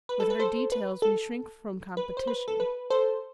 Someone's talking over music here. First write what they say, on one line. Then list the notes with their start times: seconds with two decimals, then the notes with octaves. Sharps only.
With her details we shrink from competition.
0.09 B4
0.20 A4
0.30 B4
0.39 A4 C5
0.72 B4
1.02 A4
1.97 B4
2.17 C5
2.27 B4
2.48 A4
2.60 B4
2.90 A4 C5